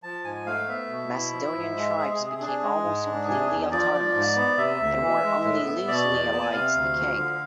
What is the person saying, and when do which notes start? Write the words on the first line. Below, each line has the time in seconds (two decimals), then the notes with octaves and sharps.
Macedonian tribes became almost completely autonomous, and were only loosely allied to the king.
0.03 F3 A5
0.24 G#2 G#5
0.46 A3 F5
0.67 B3 E5
0.89 B2
1.12 E4
1.33 F3
1.55 G#2
1.77 G#3
1.98 G#3 G#4
2.14 G#4
2.19 C3
2.31 G#4
2.41 D4
2.47 G#4
2.62 G#3
2.84 G#2
3.06 D4
3.28 C3 G#4
3.49 E2 G#4
3.72 F3 D5
3.93 F3 D5
4.14 G#2
4.36 B3
4.58 C3 E5
4.80 D2
5.01 E3
5.23 G#3
5.44 A2
5.66 B3
5.88 B2 D5
6.09 E2
6.32 B3 A5
6.43 G#5
6.53 C3 F5
6.74 D2
6.96 F3
7.17 D3